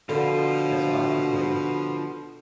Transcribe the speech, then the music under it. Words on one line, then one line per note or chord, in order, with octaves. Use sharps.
That's all I can tell you.
B2 D3 F3 F4